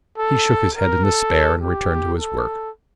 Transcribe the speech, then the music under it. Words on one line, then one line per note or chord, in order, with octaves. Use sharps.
He shook his head in despair, and returned to his work.
A4
A#4
A4
G4
A4